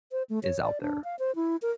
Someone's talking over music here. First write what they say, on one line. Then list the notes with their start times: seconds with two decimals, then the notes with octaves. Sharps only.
is out there.
0.12 C5
0.29 A3
0.43 C#5
0.61 D5
0.81 D4
1.04 F5
1.19 C5
1.35 E4
1.62 A#4